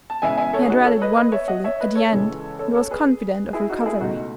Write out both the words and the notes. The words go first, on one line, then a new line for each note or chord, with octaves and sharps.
He had rallied wonderfully at the end and was confident of recovery.
A5
E2 C#3 E3 G#3 E5 G#5
E5 G#5
A4 C#5
G#4
D#4 F#4
A4 C#5
B4 D#5
B4 D#5
C#5 E5
D#5 F#5
C#5 E5
B4 D#5
A4 C#5
C#2 C#3 E3 G#3
A4 C#5
A4 C#5
G#4 B4
E4 G#4
D#4 F#4
A4
E4 G#4
C#2 B2 A3 D#4 F#4